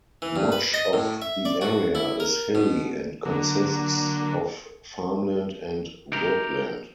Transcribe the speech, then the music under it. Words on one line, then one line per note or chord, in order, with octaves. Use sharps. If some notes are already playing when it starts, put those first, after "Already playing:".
Much of the area is hilly and consists of farmland and woodland.
E3
G2
B4
D#5
A2
E5
D5
F#4
E4
A#4
B2
D3 F#3 A#3
G4 A#4